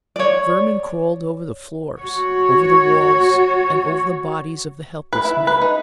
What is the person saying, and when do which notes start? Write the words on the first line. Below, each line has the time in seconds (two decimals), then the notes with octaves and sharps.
Vermin crawled over the floors, over the walls and over the bodies of the helpless men.
0.16 C#5 D5
2.00 F#4 C#5
5.13 B4
5.25 E4
5.47 B4
5.61 D#4